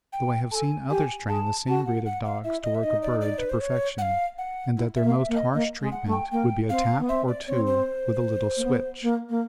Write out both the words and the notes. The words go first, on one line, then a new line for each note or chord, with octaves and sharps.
Though I have seen others train the same breed of dogs to work a bird to perfection and that their most harsh treatment would be a tap or two with a little switch.
G5
A4 G#5 A5
G4 G#5
G#4 A5
F#4 A5
F#5
F#5
F5
E4 E5
D#5
E5
D#4 D#5
D5
D5
B4
C5
C#5
F#5
F5
F#5
E4
E5
A#3
F5
E5
A#3
D#5
A#3 D#5
G#3
F#5
A3
G5
A#3 G5
C4 F5
B3
C4 E5
D5
C4 C#5
C5
A#3
B3
A#3
A#3